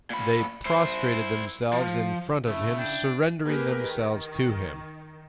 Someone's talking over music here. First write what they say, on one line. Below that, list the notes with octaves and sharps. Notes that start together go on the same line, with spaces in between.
They prostrated themselves in front of Him surrendering themselves to him.
A#2 B5
E4 C5
F3
C#3 A3 E4
D4 G5
A#3 G4 G#4 A#4 B4
D#3